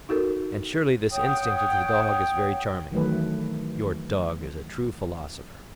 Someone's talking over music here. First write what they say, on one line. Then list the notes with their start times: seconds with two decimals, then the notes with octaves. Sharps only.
And surely this instinct of the dog is very charming;--your dog is a true philosopher.
0.09 D#4 F#4 A4 A#4
1.11 C#5 F#5 G5 D#6
2.92 D#3 E3 F#3 A3 B4